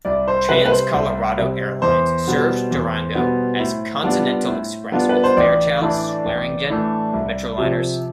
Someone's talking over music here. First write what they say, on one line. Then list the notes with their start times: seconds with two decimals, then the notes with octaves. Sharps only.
Trans-Colorado Airlines served Durango as Continental Express with Fairchild Swearingen Metroliners.
0.05 C2 D5
0.28 C5
0.49 C3 G3 B4
0.66 B4
0.71 C5
0.94 C2
1.37 C3 G3
1.82 E2 C5
2.27 B2 G3 B3
2.71 E2
3.15 B2 G3 B3
3.59 A2
4.03 G3 B3 D4 F4
4.47 A2
4.92 G3 B3 D4 F4
5.09 B4
5.24 C5
5.37 A1 D5
5.81 A2 E3 A3 D4
6.26 A1
6.69 A2 E3 A3 D4
7.13 C2
7.58 C3 F3